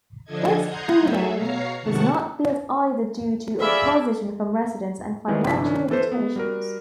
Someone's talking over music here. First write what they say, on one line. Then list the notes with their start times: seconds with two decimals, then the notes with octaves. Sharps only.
This freeway was not built either due to opposition from residents and financial limitations.
0.25 D3 F3 D4 A4 D#5 G#6
0.63 F#5 A#5 C6 D#6 G6 G#6
0.98 F#3 A3 G#4 A4 E5
1.35 B2 C#5 F5 A#5 C7
1.81 G#2 C3 D#3 F#5 A5 C#6
3.60 G#4 D5 E5 F5 B5
5.28 D#3 E3 G3 C4 E4 G#4
5.44 G1 C3 F3 D4 E4 B6
5.65 D#3 C#4 D4
5.90 E3 A4 B4 C5
6.12 B3
6.36 G3 F#4 A#4